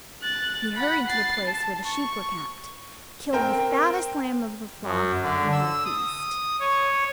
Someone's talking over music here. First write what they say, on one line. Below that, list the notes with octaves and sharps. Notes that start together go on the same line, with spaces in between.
He hurried to the place where the sheep were kept, killed the fattest lamb of the flock, and had a feast.
F#6 A6
F#5 B5
A6 C7
A5
C#6
C4 A#4 G5
F#2
D3
E6
D#6
C#5